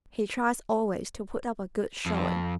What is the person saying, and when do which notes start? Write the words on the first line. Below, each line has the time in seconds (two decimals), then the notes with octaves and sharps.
He tries always to put up a good showing.
2.06 F2